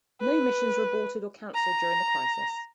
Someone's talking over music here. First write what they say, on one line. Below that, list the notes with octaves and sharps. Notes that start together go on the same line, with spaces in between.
No missions were aborted or canceled during the crisis.
B4
A#5